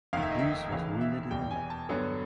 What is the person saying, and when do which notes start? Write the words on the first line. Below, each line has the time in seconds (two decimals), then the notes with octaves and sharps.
Hughes was wounded in the leg.
0.13 F1 D#2 D#3 F5
0.23 E5
0.31 D#5
0.39 E5
0.72 D#2 C#3 E3 F5
1.01 E5
1.31 E2 B2 G3 G5
1.51 G#5
1.70 A5
1.89 G2 D3 F#3 B3